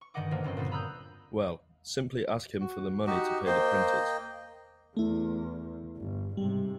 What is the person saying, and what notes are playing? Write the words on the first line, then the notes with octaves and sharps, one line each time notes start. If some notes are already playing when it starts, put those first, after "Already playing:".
Well, simply ask him for the money to pay the printers.
C#6
G2 D3 D#3 D#5 F#5 D6
A#1 D3 F3 A#3
F#1 G2 C4 D#5
A#2 D3 B3 C4
A#5 B5 D#6 E6 F#6 G6
F#4
D#4 F#4 G4 D#5
A#3 C5 D#5 G5
E2 A3 E4
G1
G#2 C3 G3